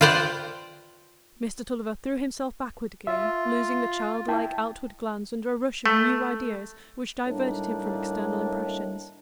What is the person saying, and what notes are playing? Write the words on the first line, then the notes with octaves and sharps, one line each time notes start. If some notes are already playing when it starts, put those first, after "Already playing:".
Mr. Tulliver threw himself backward again, losing the childlike outward glance under a rush of new ideas, which diverted him from external impressions.
F4 B4 C5 D5 G5
F4 E5
E4 G5 A5
A3
A2 D#3 G3 A#3 D4 D#4